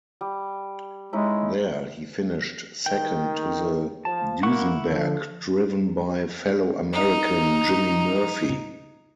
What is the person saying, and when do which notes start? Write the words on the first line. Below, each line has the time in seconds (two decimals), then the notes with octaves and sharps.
There, he finished second to the Duesenberg driven by fellow American, Jimmy Murphy.
0.21 G3
1.13 G#3 C#4 D#4 E4
2.86 D#3 G5
4.05 F3 A5
4.43 A#3 E4 F#5 C#6
4.86 D3 F3 A4
6.93 D#4 A#5